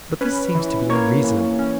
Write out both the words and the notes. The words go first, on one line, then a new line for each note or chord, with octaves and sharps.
But this seems to be unreasonable.
C#4 B4
E3
A#3 C#5
E3
C#4